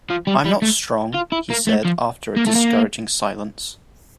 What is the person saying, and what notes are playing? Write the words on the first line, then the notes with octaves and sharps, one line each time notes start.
"I'm not strong," he said after a discouraging silence.
F3
G3
G3
A3
F4
E4
A#3
A3
F3
A#3
A3
A#3